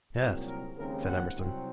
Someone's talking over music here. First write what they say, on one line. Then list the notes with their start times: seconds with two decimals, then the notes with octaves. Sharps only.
"Yes," said Emerson.
0.18 C2 A#2 F#3 C4 G#4
0.47 A#4
0.76 D#2 C#3 G#3 C4 A#4
1.05 F#5
1.35 C2 C3 F#3 C4